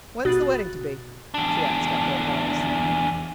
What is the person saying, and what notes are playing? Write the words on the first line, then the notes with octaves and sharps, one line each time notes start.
"When's the wedding to be?" she asked after a pause.
G#1 B2 F#4 D#6 F#6 A6
E2 D4